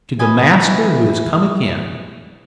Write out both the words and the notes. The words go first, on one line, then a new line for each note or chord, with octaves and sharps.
To the master who has come again!
E3 B4 D#5 G#5